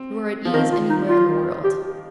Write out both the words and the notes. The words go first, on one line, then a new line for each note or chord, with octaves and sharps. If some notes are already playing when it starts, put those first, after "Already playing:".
You are at ease anywhere in the world.
Already playing: C4
F3
D#3 A#4
F4
D#4
F4
G4